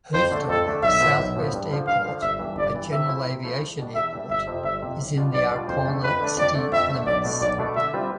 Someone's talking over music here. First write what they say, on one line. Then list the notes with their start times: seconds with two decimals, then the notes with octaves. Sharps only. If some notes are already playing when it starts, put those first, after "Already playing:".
Houston Southwest Airport, a general aviation airport, is in the Arcola city limits.
0.14 F2 C5
0.31 D3 A3 D4
0.49 F2 A4
0.67 D3 A3 D4
0.83 B1 E5
1.00 A2 F3 B3
1.19 B1
1.36 A2 F3 B3
1.53 G2
1.71 D3 F3
1.87 G2 F5
2.05 D3 F3
2.22 G1 E5
2.39 G2 E3
2.56 G1 D5
2.74 G2 E3
2.92 C3 E5
3.09 F3 A3 E4
3.27 C3
3.44 F3 A3 E4
3.61 E2
3.78 B2 G3 D4
3.95 E2 E5
4.12 B2 G3 D4
4.30 G1 E5
4.47 F2 C3 F3
4.65 G1 E5
4.81 F2 C3 F3
4.99 B1
5.17 B2 G3 D4 F4
5.33 B1 D5
5.51 B2 G3 D4 F4
5.68 F2 C5
5.85 D3 A3 D4
6.03 F2 B4
6.20 D3 A3 D4
6.37 F2 D5
6.55 D3 A3
6.72 F2 E5
6.89 D3 A3
7.07 B1 D5
7.24 B2 A3 D4
7.41 B1 D5
7.58 B2 A3 D4
7.76 D3 E5
7.93 G3 C4 F4 B4